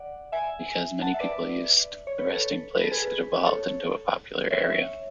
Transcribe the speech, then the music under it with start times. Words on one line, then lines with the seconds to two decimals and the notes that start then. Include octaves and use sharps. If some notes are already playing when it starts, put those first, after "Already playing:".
Because many people used the resting place, it evolved into a popular area.
Already playing: D5 F#5
0.32 E5 G#5
1.02 F#5 A5
1.14 E5
1.20 B4 D5
2.07 C#5
2.19 B4
2.29 A4 C#5
2.77 B4
2.84 A4
2.91 G#4 B4
3.46 A4 C#5
4.51 C#5 E5